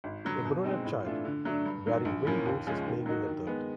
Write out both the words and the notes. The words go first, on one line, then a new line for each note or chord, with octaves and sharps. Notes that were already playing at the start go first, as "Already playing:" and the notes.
A brunet child, wearing rain boots is playing in the dirt.
G#1
G2 D3 F#3
B2
G#3 C4 D#4
A2
E3 A3 D4 F4
D3
F#3 A3 D4
G2
D#3 F#3
A#1
A2 F3 A#3 C#4
D#2
C#3 F3 G#3 C#4
D#3
F#3 A#3 D#4 F#4
D#3
G#3 B3